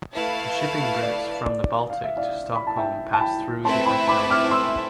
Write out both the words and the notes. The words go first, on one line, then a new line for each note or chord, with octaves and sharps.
The shipping routes from the Baltic to Stockholm pass through the archipelago.
A3 E4 B4 F5 A5
D5
D5
F5
E5
D5 F5
B5
A5
E5 G5
A5
G5 B5
A3 C4 E4 B4 E5 A5 C6
G5 B5
B5 D6
D6 F6
C6 E6